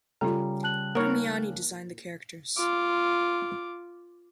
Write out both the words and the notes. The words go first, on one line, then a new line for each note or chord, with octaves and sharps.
Premiani designed the characters.
C#3 G3 F4 A4 A#5
A5 F#6 F#7
A#3 D#4 A#4 C#5
F4 D6